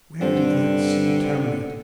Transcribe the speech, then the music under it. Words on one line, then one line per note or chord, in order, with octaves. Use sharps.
Where did that sea terminate?
G2 D3 C4